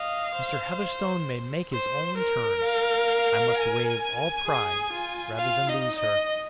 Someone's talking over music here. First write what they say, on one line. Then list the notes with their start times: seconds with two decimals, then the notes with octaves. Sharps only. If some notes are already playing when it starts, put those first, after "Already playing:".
Mr. Heatherstone may make his own terms; I must wave all pride rather than lose her.
Already playing: D#5 F5
0.35 C5
1.72 C5
2.18 A#4
2.63 F5
3.55 G#5
4.47 G#4
4.93 F4
5.38 F4 F5
5.68 D#4 D#5
5.99 D#5